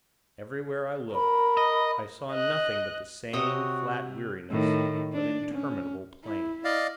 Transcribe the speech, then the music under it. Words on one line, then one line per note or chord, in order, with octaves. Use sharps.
Everywhere I looked, I saw nothing but the same flat weariness of interminable plain.
A#4 B5
D#5
D#5 F#6
C3 F#4 C#5 D#5 D#6
A2 D#3
D4
C#4
E4
D5 D#5 F5